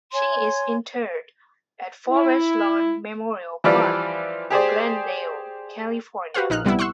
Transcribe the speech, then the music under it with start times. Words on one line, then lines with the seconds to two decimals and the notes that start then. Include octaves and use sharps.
She is interred at Forest Lawn Memorial Park, Glendale, California.
0.12 C#5 G#5 C6
2.09 E4
3.64 E3 F3 G3 F4 D5
4.50 G4 G#4 C5 D5
6.34 F#4 G4 B4 C5 F5
6.50 A#1 D#4 F6 F#6
6.65 C2 G3 B3 E4
6.79 F#5 C6 C#6 E6 F#6